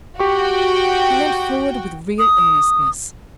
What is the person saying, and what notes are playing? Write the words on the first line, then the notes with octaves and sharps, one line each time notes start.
He leant forward, with real earnestness.
F#4 G4 G5 C#6
D#6